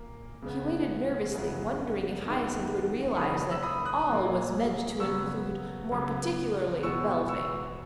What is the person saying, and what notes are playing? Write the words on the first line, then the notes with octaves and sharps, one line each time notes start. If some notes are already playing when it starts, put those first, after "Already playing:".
He waited nervously, wondering if Hyacinth would realise that "all" was meant to include more particularly Belvane.
Already playing: A#2 A#3
C#3 G#3 B3
F#2 C#3 G#3 B3
F#2 D#3 G#3 B3
C#6
C#3 F#3 A#3 B5 D#6
E6
B5 D#6
D#6 F#6
A#2 F#3 A#3
C#3 F#3 B3 C#6 E6
C#3 F#3 B3
E2 B2 G#3 B3 C#6 E6
C#6 E6